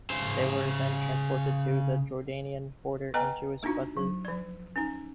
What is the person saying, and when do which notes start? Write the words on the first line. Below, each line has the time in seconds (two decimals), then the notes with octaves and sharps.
They were then transported to the Jordanian border in Jewish buses.
0.10 C#3 C5
3.14 B3 B4 D#5 G5 G#5 A#5
3.63 A#3 D4 D#4 F4 F#4
3.97 F#3
4.25 F3 D5
4.76 C#4 D#4